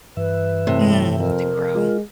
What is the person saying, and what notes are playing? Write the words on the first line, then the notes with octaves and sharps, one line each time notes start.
Mm, to grow.
G2 E3 B4 E5
A2 C3
F2 A#4
G#3 F4